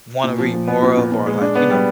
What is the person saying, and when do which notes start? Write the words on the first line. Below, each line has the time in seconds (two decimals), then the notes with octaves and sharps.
wa wanna read more of or, like, you know.
0.24 A#2
0.39 F3
0.53 F3
0.68 B3
0.83 A#2
0.97 A#2
1.12 A#2
1.26 G#3
1.41 D4
1.55 B3
1.70 G3